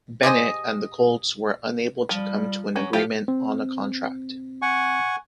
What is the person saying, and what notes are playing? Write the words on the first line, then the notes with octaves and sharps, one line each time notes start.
Bennett and the Colts were unable to come to an agreement on a contract.
G4 G#4 C5 D#5
F3 G3
F#3 C#4
F3 A3 F4 G4
C4
F#5 G#5 C#6